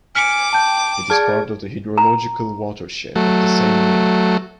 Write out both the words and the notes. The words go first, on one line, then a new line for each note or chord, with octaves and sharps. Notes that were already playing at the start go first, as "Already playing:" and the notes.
It is part of the hydrological watershed of the same name.
G#5 D6 F6 B6 C#7
G5 A5 G6
G#4 D5 A5 F6 G#6 D7
A#5
F#3 A3